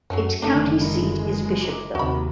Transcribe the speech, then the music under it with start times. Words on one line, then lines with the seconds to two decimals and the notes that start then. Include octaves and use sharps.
Its county seat is Bishopville.
0.10 F#2 F#3 A3 C#4
0.42 F#1 D3 D#3 A3 D4 D#4 A4 F5
0.80 G#3 E4 A#4 A#5
1.61 A#5 D6
1.95 D#2 C3 D#3 F#4 B5